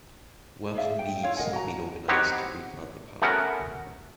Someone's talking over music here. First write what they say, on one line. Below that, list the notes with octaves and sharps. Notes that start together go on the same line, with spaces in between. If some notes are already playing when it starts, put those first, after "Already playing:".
Working bees have been organised to replant the park.
G#4 D5 E5 F5
G5
E4 F4 C#5 F5
A#4 D#5 F#5 G#5
F#4 A#5
B3 C4 D#4 F#4 G4 C#5
A3 B3 C#4 F#4 A#4